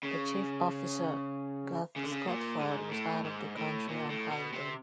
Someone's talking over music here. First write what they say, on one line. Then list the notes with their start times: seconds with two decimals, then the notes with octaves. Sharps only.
The Chief Officer, Garth Scotford, was out of the country, on holiday.
0.03 C#3
1.96 C#3
2.03 D3
2.11 C#3
2.28 A#2
2.60 G#2
2.91 A2
3.24 G#2
3.57 A2
3.88 A#2
4.10 A2
4.31 B2
4.53 C3